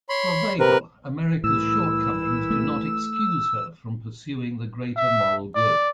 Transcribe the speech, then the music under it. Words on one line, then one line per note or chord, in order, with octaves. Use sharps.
For Weigel, America's shortcomings do not excuse her from pursuing the greater moral good.
C#5 B5 C6
C3 A#4 B4
C2 A2 E3 E4 E6
A3
E5
D5